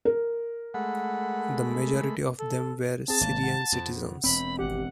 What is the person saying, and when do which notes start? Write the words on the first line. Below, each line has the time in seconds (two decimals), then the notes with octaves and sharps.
The majority of them were Syrian citizens.
0.05 A#4
0.74 G#3 A3 F#5 B5
2.39 A4
3.08 C4 G#4 A5
3.21 G#1 A#3
3.43 F#5
3.72 F2
4.24 E1 C4 B5
4.59 G#1 G4 F#5